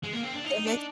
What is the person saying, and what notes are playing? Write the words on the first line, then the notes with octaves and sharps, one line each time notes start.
That makes
G#3
A#3
C4
D4
D#4
D4